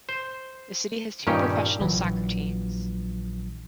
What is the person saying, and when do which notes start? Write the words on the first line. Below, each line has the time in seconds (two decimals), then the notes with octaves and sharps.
The city has two professional soccer teams.
0.09 C5
1.27 G2 A#2 D#3 C#4 G4
1.80 A#1 A#2 E3 F#3